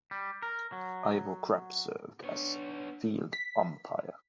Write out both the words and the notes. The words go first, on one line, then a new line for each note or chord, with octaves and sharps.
Ivo Crapp served as field umpire.
G3
A#4
F#3
B3 D4 C#5
B6